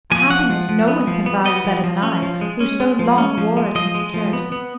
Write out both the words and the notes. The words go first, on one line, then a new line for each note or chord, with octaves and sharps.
A happiness no one can value better than I, who so long wore it in security.
F3 G#5
F3 F#5
F3
F3
B3
F3
B3
B3 D#5
F3
F3
C#4
F3
G#3
C#4
G#3
F3
C#4
F3
G#3
F3 D#5
G#3
F3
B3
B3